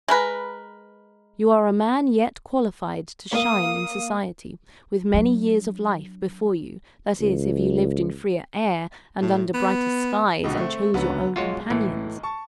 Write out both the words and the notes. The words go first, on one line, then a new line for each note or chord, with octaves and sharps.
You are a man yet qualified to shine in society, with many years of life before you; that is, if you lived in freer air, and under brighter skies, and chose your own companions.
G#3 A#4 B4
A#3 F5 D#6
F#3 D4
C#2
A2
B3
C#2 B2 D3
A3 C4
C#2 D3 F#3 B3
B1 G#3 F4 F#4 C#5
A2 E3
A5 C#6